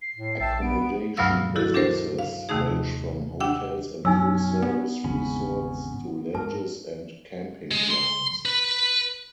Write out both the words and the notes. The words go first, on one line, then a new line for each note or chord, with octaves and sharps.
Accommodation businesses range from hotels and full service resorts to ledges and camping grounds.
C7
A2
A#1 E5 G5 A5
B3 D7
D2 G2 B2 F#3 F5 E6
D#3 E4 F#4 G4 A4
D4 G4 A4 A#4 C5
F5
D#2 C3 D#3 A3 D#4 G#4
D#3 D4 F#5 G5 E6
F#2 B2 F#3 C#4 D#4 G#5 E6
B3
G#1 E2 C#3 C#4 B5
G#2 A#4 A5
G#3
C6
B4